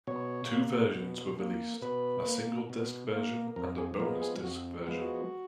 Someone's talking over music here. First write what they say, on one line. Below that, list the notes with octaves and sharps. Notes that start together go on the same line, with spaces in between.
Two versions were released; a single disc version and a bonus disc version.
B2 C#5
A#3
B2
A#3
B2 B4
A#3
B2
A#3
F2 A#4
G#4
F3 G#3 B3 A#4
G#4
F2 F#4
F3 G#3 B3
F#4